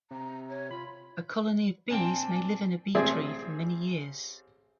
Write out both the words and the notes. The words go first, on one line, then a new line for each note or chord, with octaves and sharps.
A colony of bees may live in a bee tree for many years.
C3 A#5
C#5
F4 B5
A#2 C4 D4 G5 G#5
A1 C4 G#4 D5 E5